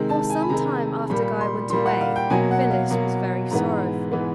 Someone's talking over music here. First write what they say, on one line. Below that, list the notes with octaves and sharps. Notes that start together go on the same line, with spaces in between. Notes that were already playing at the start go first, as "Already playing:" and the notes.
For some time after Guy went away Phyllis was very sorrowful.
Already playing: C3 D#3 G#3
A5
G#5
B5
C3 D#3 G#3 A#5
A#2 G3 A#3 B5
C6
A#2 G3 A#3 C6
F#5
F5
G5
B2 F#3 A#3 G#5
F#5
F5
B2 F#3 A#3
G#2 E3 G#3 B3 A#5
E3 G#3 B3